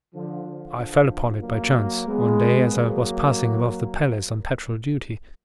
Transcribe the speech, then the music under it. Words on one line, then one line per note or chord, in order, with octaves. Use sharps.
I fell upon it by chance one day as I was passing above the palace on patrol duty.
D3 F3
D3 F3
F#3 A#3
G#3 B3
F#3 A#3